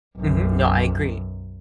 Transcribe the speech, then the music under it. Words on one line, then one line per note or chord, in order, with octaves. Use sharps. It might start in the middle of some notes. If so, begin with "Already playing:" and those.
Mhm. No, I agree.
B1 F#2